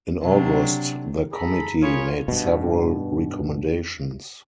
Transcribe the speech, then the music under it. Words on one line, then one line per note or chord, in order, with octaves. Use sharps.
In August, the committee made several recommendations.
C3 F#3 D4
G#4 A4 A#5 B5
F4 G#4 A#4 C#5 B5
G2 B2